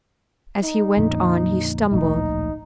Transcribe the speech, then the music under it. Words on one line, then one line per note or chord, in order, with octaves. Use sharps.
As he went on he stumbled.
D#4
F2 A#2 D3
D1 A#1 A3 D#4